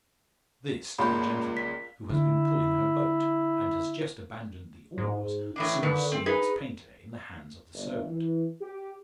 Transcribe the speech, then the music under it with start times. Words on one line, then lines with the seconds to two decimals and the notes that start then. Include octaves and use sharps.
This to the gentleman who has been pulling her boat, and has just abandoned the oars soon as seeing its painter in the hands of the servant.
0.98 C#2 A#2 G4 B5 C6 G6
1.57 B6
2.09 D3 E4
4.98 G#2
5.56 A2 E3 D4
5.83 D3 D#3 B4
6.12 C4
6.26 D#4 G#4 B4
7.74 G1
8.06 E3
8.62 G4